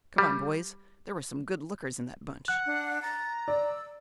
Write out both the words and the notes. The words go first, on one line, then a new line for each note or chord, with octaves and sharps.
"Come on, boys--there were some good lookers in that bunch."
G3
F#5 F#6
D4
A#5 A6
D5 E6